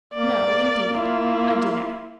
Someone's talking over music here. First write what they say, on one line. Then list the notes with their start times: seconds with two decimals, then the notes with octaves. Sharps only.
No, indeed--a dinner.
0.14 A#3 D5
0.94 E4 F4